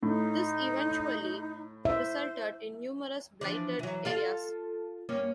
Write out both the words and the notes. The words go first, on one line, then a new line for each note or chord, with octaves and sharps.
This eventually resulted in numerous blighted areas.
A2 D#4
C5 E5
E3 F3 D4
E3 F#3
F4 A4 F5
G2 A#3 C#4